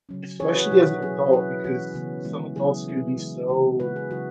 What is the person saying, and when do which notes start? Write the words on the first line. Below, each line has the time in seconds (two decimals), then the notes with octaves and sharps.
Especially as an adult because some adults can be so
0.09 C#3 F#3 C#4
0.39 E3 C#4 E4 G#4 C#5
0.55 F#4 B4
0.71 B2 F#3 E4 F#4
0.87 F#4
1.02 F#3 C#4 E4 G#4
1.32 F#3 C#4 E4 F#4 B4
1.64 E3 C#4 E4 F#4
1.94 C#3 E3 B3
2.25 E3 G#3 B3 E4
2.56 C#3 F#3 B3 E4 G#4
2.88 E3 B3 E4
3.18 E3 G#3 E4
3.50 C#3 E3 B3
3.80 C#3 G#3 E4 F#4 B4
3.96 G#4
4.11 C#3 F#3 E4 F#4